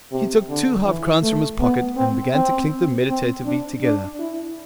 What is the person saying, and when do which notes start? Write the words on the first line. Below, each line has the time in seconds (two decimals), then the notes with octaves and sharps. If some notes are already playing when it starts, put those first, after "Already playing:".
He took two half-crowns from his pocket, and began to clink them meditatively together.
0.12 C3
0.49 D3
0.85 E3
1.23 A3
1.60 B3
1.96 C4
2.34 C4
3.09 C4
3.45 D4
3.83 D4
4.19 E4